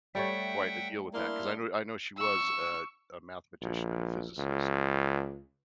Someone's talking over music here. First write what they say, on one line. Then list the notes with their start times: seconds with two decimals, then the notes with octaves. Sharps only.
quite a deal with that, 'cause I know I know she was a a mathematician and a physicist.
0.15 G3 A3 C#5 E5 F#5 G5
1.14 A#3 D4 E4 C6 F6
2.17 C#6 E6
3.62 A#1
4.38 C#2